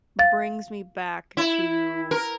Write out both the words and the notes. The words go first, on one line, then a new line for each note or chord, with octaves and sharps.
brings me back to
F5 A6
E4
A#4